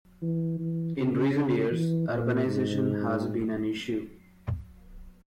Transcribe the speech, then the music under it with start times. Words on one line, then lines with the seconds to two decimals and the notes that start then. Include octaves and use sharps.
In recent years, urbanization has been an issue.
0.22 E3
0.59 E3
0.97 C#3
1.71 E3
2.09 A#2
2.46 G#2